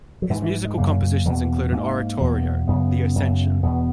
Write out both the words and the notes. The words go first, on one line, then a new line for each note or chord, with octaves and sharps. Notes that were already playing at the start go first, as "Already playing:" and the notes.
His musical compositions include an oratorio, "The Ascension".
F#3
G#2 E3
E3
G#3
F#2 C#3 A#3
E2 B2
G#2 A#3
E2 B2
F#2 C#3 B3
F#2 C#3
E2 B2 B3